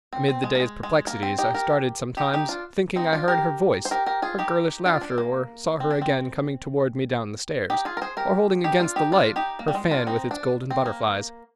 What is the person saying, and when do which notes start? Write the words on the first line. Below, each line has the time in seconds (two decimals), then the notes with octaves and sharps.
Amid the day’s perplexities I started sometimes, thinking I heard her voice, her girlish laughter, or saw her again coming toward me down the stairs, or holding against the light her fan with its golden butterflies.
0.13 C4
0.28 C4
0.44 G#3
0.55 A#3
0.60 G#3
0.83 G#3
1.07 A#3
1.23 C4
1.38 D#4 G4
1.54 G4 A#4
2.17 D#4 G4
2.33 D#4 G4
2.49 D4 F4
2.96 C4 D#4
3.13 D4 F4
3.28 G4 A#4
3.85 C5
3.91 G4 A#4
4.06 G4 A#4
4.22 F4 G#4
4.39 D#4 G4
4.86 D4 F4
5.01 D4
5.18 A#3
5.80 C4
5.91 D4
6.02 C4
7.70 D#4 G4
7.85 F4 G#4
7.97 A#4
8.02 G#4 C5
8.17 G4 A#4
8.64 D#4 G4
8.80 D4 F4
8.96 D#4 G4
9.12 D4 F4
9.36 D#4 G4
9.59 A#3
9.68 G3
9.75 G#3
9.91 D4 F4
10.07 C4 D#4
10.31 D4
10.70 C4
10.86 A#3